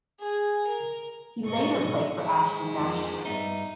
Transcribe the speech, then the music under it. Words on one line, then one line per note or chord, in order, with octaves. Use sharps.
He later played for Ashton National.
G#4
A#4
G#2 B2 D#5 C#6
G#2
F2 D#3 C4
G2 B3 D#4 E5